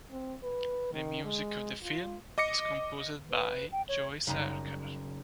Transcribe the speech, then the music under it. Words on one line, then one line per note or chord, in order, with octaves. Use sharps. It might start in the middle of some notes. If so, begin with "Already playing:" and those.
The music of the film is composed by Joy Sarkar.
C4
B4
D#3
G#3
F4
D#5 D6 A#6 C#7
B4
G5
C#5
F#1 G3 D#4 A#5